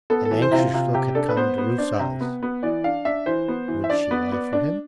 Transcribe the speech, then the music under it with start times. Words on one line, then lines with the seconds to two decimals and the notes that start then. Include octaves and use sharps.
An anxious look had come into Rufe's eyes--would she lie for him?
0.10 B3 A4
0.25 A4
0.31 E3
0.42 C5
0.51 C3 E4
0.58 F4
0.73 C3 F4
0.94 C3 G4
1.15 D4 A4
1.29 B4
1.37 B3 C5
1.58 B3
1.78 D4
1.99 C3
2.21 B3
2.43 B3
2.63 E3 D5
2.84 D4 F5
3.05 D4 E5
3.26 E3 C5
3.48 B3
3.68 E3
3.84 E5
3.90 D4 D5
4.11 B3
4.32 B3
4.53 D4